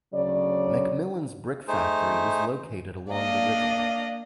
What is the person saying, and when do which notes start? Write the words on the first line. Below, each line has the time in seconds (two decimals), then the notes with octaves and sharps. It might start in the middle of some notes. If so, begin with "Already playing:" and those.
McMillan's brick factory was located along the river.
0.14 D2 C#3 F#3 D5
1.68 A3 D#4 G#4 C5
3.12 A#3 D4 D5 D#5 F5